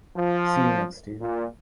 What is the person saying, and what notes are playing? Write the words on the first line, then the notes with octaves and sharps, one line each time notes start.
See you next year.
F3
A#2